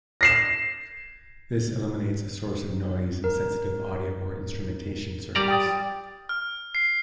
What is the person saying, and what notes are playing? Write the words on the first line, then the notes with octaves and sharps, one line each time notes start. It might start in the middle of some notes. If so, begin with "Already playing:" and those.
This eliminates a source of noise in sensitive audio or instrumentation circuits.
A#6 C7 E7
A#4
G3 D5 A#5
G5 D#6 A6
F6
C7